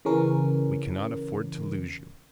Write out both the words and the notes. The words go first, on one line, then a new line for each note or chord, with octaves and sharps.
We cannot afford to lose you.
C#3 E3 C#4 A#4